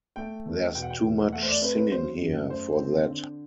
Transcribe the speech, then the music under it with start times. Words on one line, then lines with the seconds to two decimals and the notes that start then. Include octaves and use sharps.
There's too much singing here for that.
0.16 A3 G5
0.46 E2
0.75 B2 G5
0.82 F#5
0.90 G5
1.04 E2
1.33 A3 F#5
1.43 C5
1.48 D5
1.62 C4 B4
1.76 B4
1.92 F#3 C5
2.21 F#2
2.49 A3 C5
2.79 C4
3.08 D3